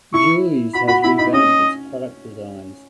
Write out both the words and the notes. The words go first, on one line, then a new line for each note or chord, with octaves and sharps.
Julie’s has revamped its product designs.
E4 C#6
F#4 B5
F#4 B5
E4 B5
D#4 B5
C#4 D#5